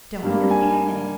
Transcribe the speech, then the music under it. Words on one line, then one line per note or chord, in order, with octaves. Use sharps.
"Don't interfere then."
G2 G3 A#3
G#5